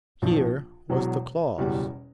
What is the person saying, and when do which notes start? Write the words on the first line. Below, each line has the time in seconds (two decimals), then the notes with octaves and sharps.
Here was the clause.
0.22 A#1 A2 F3
0.90 E1 E2 B2 F#3
1.58 F#1 E2 B2 G3